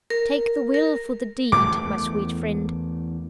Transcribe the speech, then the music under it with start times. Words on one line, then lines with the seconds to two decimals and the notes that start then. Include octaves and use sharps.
Take the will for the deed, my sweet friend.
0.10 A#4
0.74 A#4
1.52 E2 A3 D6